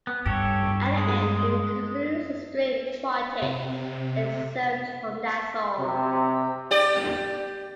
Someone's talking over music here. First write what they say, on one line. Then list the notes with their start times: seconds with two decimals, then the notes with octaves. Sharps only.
At the end, it includes a string quartet excerpt from that song.
0.07 B3
0.26 G2 G4 A4 C#5
0.97 G#3
3.42 C3
5.79 C3
6.71 G4 D5